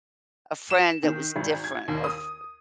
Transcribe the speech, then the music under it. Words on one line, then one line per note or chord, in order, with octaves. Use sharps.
a friend that was different or f
E7
D#3
G#1
G#6
D#2
D#6